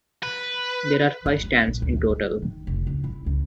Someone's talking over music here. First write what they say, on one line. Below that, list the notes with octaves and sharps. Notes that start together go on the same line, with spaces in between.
There are five stands in total.
B4
G1
G#3
A#1
D2
G3
D#3
F1
C#2
E4
C#2